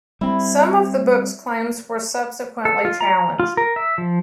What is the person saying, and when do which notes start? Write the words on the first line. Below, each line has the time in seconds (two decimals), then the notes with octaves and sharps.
Some of the book's claims were subsequently challenged.
0.21 G3 C4 E4
2.65 A4
2.85 F4
3.01 A#5
3.40 F4
3.57 A#4
3.76 E5
3.98 F3